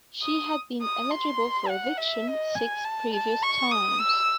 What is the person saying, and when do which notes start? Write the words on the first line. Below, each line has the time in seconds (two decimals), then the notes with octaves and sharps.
She had been eligible for eviction six previous times.
0.23 D#6
0.82 D#6
1.11 C6
1.69 F#5
1.97 E5
2.27 D#5
2.55 G#5
2.84 A5
3.14 A5
3.43 C#6
3.72 D#6
4.01 E6